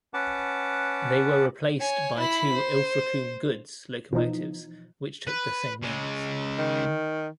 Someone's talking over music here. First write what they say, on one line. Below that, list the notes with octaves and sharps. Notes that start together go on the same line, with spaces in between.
They were replaced by two "Ilfracombe Goods" locomotives which took the same names.
C#4 B4 F#5 A5 D6
C#5 G#5
E4 B5
C5
B2 E3 F3 D#4
B4
C#3 G#3
D#3